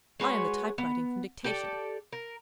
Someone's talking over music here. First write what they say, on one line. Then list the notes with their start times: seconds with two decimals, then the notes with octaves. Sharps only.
'I am the typewriting from dictation.
0.20 G#3 F#4 B4 C#5
0.78 B3
1.44 G4 A4 D5
2.12 A#4